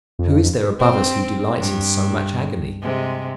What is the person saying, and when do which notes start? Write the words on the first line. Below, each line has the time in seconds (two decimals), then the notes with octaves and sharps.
Who is there above us who delights in so much agony?
0.19 F2
0.79 C4
1.59 G2
2.82 C3 G#3